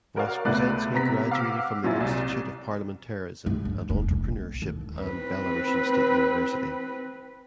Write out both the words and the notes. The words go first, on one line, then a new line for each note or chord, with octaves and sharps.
Voskresensky graduated from the Institute of parliamentarism and entrepreneurship and Belarusian State University.
F#4 A#4 C#5 D5 F5
C#2 A3 B3 B4 D5 F#6
C3 B3 A#5 B6
F5 F#5 D6 E6 B6
A#2 F#3 C#4 E4 A6
C2
C#2 G2
D3
E1 C#4
A#1
D#2
C4 B4